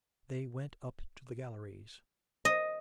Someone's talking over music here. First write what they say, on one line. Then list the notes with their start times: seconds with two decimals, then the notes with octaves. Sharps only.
They went up to the galleries.
2.45 D#5